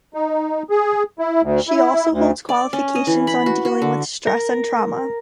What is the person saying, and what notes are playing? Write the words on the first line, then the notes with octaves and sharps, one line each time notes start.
She also holds qualifications on dealing with stress and trauma.
D#4
G#4
E4
D2
E4
D2
D5
C#4
D#5
E3
B5
F#4
F#4
D3
A#4